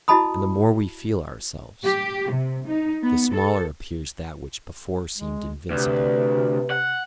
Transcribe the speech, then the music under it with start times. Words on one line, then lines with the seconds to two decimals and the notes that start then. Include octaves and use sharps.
And the more we feel ourselves, the smaller appears that which before seemed invincible.
0.08 E4 F#4 D#5 A5 B5 D#6
1.86 G4
2.33 C3
2.68 D#4
3.02 B3
3.35 A4
5.18 G#3
5.71 D2 C3 B4
6.71 F#5